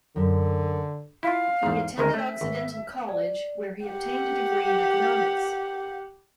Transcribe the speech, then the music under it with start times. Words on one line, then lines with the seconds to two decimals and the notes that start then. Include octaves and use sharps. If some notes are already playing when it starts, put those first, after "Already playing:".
He attended Occidental College, where he obtained a degree in Economics.
0.16 F#2 D3
1.23 E4 F4 F5
1.63 E2 G#2
1.98 D2 D#3 G#3 A#4
2.14 A3 E5
2.41 G#1
3.09 D5
3.86 G4 F#5